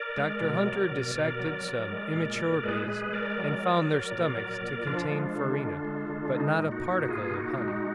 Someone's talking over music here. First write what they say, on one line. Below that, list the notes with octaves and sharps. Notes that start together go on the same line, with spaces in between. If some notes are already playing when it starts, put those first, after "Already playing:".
Dr. Hunter dissected some immature bees, and found their stomachs to contain farina, but not a particle of honey.
Already playing: A#4 D5
G#3
B2
F#3
B2
B2 A#4 D5
F#3
F#3
G#3
A#2
A#2
G#3 G#4 B4
G#3 G#4 B4
G#3 A#4 D5
F#3
F#3
F#3
A#2
F#3
A#2
F3 D4 F4
G#3
D3
D3
G#3
D3
G#3 D#4
A#2
D#4 F#4
A#2
A#2 F4 G#4
A#2 D#4 F#4
F4
G#3 D#4 F#4